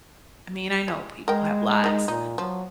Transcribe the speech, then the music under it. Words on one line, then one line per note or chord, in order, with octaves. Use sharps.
I mean, I know people have lives,
G#3
G#3 A#4 G5
D#3 D#4
A#2 D#4
F3 F#3